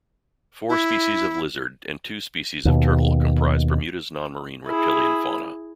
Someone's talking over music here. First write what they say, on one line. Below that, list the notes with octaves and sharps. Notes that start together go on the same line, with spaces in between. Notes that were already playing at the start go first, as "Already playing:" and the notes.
Four species of lizard and two species of turtle comprise Bermuda's non-marine reptilian fauna.
E4
D#2 B2
E4 G#4